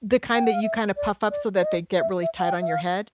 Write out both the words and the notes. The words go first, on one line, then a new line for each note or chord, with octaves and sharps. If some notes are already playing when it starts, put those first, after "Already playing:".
The kind that you kinda puff up, so that they get really tight on your head?
G5
F#5
F5
E5
D5
D5
D5
D#5
E5
E5
F#5
G5
E5
F5